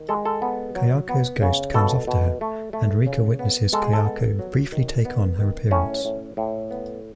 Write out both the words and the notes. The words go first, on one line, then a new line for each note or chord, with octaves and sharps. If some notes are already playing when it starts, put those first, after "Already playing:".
Kayako's ghost comes after her, and Rika witnesses Kayako briefly take on her appearance.
Already playing: D#3
G#3 A4
A4
B3
F#3
B3
C#3
B2 A4
B2
A3
A3
C#3
B3
G#3 A4
G#4
A4
B3
F#3
D#3
B3
D#3
A2 C#4
A2
A2
B3